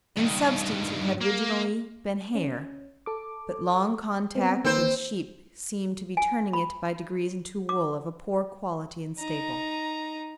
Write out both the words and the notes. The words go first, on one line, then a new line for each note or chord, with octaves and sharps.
In substance it had originally been hair, but long contact with sheep seemed to be turning it by degrees into wool of a poor quality and staple.
G2 D#3
A#3
C#4
A4 D6
B3 C4
D#3 A#3 C4 B4 C5
G#5
B5
D6
D#4 A#5